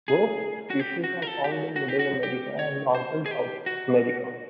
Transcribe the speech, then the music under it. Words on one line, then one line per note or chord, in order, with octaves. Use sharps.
Most species are found in Middle America and northern South America.
G#4
F#4
G4
F#4
A#4
A4
G4
F#4
F#4
G4
F#4
G4
C#5
C5
G#4
G4
F#4